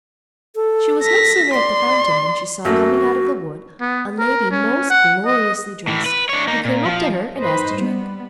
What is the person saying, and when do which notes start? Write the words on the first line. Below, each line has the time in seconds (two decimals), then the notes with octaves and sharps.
She was no sooner at the fountain, than she saw coming out of the wood a lady most gloriously dressed, who came up to her, and asked to drink.
0.56 A4
1.03 A#6 B6
1.54 D5 C6
2.65 F#2 A3 A#3 F#4
3.81 B3
4.19 A#4
4.51 C#4
4.90 F#5
5.26 D#5
5.87 A2 E3
6.06 B4
6.29 D4 C#5
6.47 A#3 D#4
6.65 A#2
6.85 F3
7.39 D#4 B4 C5 D#5
7.75 G3 B3